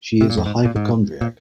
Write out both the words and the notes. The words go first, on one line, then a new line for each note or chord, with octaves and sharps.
She is a hypochondriac.
C3
A#2
F2
G#2
A#2
G#2
A#2